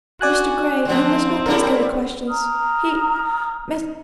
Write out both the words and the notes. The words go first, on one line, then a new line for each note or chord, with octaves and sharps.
Mr. Grey, you must not ask any questions. He,--Mr.
F#4 D5 G#5 F#6
D3 F3 C4
C#3 G3 E4 A#4
A#5 D#6 F6